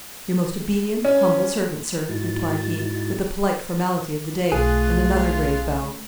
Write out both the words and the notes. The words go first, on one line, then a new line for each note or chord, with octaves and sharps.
"Your most obedient, humble servant, sir," replied he, with the polite formality of the day, and another grave bow.
C#4
G#2 G#3 D#4 E4 F#4 A6
B1 A3 F4 G#4 F#6